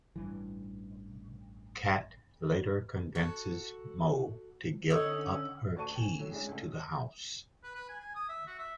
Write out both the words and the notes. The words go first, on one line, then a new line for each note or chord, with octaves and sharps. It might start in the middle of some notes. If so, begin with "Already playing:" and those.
Kat later convinces Mo to give up her keys to the house.
A1 G2 E3
F#4 A4
D3 C#4 D#4 A4 C#5 D#5 F#5 E6
D2 F#4 D5 A5 C#6 D#7
G5 G#5
A2 D3 F#3
G#3 C#4 D4 E4 G4 G#4
C#2 A3
B4
B4
G#5
G#5
D#6
E5
F#4
E5